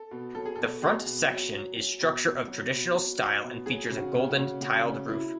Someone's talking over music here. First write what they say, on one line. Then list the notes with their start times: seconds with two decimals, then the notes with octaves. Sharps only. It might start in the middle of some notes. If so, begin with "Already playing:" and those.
The front section is structure of traditional style and features a golden tiled roof.
Already playing: A4
0.11 B2
0.35 F#3 A4
0.45 G#4
0.55 B2 A4
0.82 B2 G#4
1.05 B2
1.30 F#3
1.52 F#3
1.76 F#3
2.01 B2
2.25 B2
2.48 F#3
2.72 B2
2.95 F#3
3.19 F#3
3.43 B2
3.66 F#3 G#4
3.90 C#3
3.97 F#4
4.14 C#3
4.29 F#4
4.38 C#3
4.61 C#3 F#4
4.85 C#3
5.08 F#3 E4